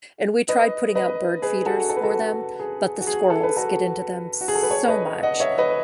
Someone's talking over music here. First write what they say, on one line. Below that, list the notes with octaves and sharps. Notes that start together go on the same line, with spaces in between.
and we tried putting out bird feeders for them, but the squirrels get into them so much,
B4 D#5
B4 D#5
G#4 B4
F#4 A4
A4
B4
F#4 A4
G#4
F#4
G#4
A4
B4
F#4 A4
F#4
G#4
A4
B4
A4 C#5
B4 D#5
D#5 F#5
C#5 E5
B4 D#5